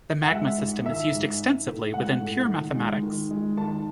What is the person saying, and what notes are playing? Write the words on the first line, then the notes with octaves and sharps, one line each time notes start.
The Magma system is used extensively within pure mathematics.
F#5
G#3 E5
G#2
D#3 E5
G#2
D#4
A2
G#3 F#5
A2
D#3
G#3
D#3
G#3
D#3 A5